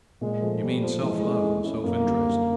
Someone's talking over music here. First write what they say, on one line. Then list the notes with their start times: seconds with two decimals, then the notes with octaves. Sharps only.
You mean self-love and self-interest.
0.21 A#2 G#3
0.42 F3 A3
0.63 A#2 G3
0.83 F3 A3
1.03 E3 G#3
1.24 A3 C#4 E4
1.44 E3
1.64 A3 C#4 E4
1.84 F#2 A#3
2.05 D3 G3
2.25 F#2